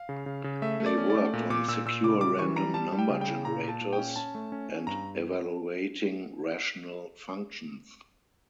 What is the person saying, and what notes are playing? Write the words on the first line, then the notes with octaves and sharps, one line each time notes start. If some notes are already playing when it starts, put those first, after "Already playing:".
They worked on secure random number generators and evaluating rational functions.
Already playing: F5
C#3
C#3
C#3
A3 E5
A3
D5
C#4
D5
A3
A#2
A#2 D6
A#2 E6
A#2 E6
C#3 D6
G3 D6
E3 C#6
G3 A#5
G3 A5
G3
G5
C#3
G5
C#3
A#2 A#5
A#2
A5
A#2
G5
C#4
C#4 A5
A3
C#4
C#4
G2 A#5